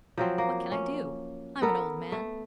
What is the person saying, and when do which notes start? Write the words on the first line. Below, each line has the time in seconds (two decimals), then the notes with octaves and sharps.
What can I do? I'm an old man.
0.17 F3 F#3 C4
0.38 A#3
0.72 C#4
1.62 B3 A4 A#4
2.12 A3